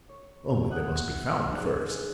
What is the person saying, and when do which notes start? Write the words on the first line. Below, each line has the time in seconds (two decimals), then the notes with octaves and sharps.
Only they must be found first.
0.09 C#5
0.70 E5 F#5 D#6 F#6
1.49 D4 D#4 G#4 F#6